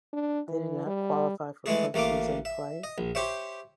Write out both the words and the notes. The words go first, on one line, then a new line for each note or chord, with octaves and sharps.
They did not qualify for post season play.
D4
E3
G3
E3 G#3 A3 G#4
A1 A3 A#3 F5 D6
E5
D#5
A#1
G4 C5 C#5 E5